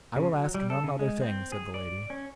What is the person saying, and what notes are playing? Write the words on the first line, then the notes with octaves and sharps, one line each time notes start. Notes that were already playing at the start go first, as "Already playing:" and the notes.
I will ask none other thing, said the lady.
C#3
F#3
G3
A4
C#3
G#3
C4
G#4
D5
C#4